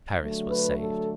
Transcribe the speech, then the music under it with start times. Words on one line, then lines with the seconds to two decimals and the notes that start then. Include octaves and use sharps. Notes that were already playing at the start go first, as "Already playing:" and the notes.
Paris was saved.
0.20 D3 F#3 A3
0.49 B4
0.79 A4